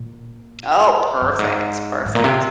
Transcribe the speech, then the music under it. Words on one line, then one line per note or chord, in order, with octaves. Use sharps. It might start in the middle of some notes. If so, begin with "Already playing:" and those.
Oh, perfect, perfect.
Already playing: A#2
G2
G#2
G#2
A#2
C3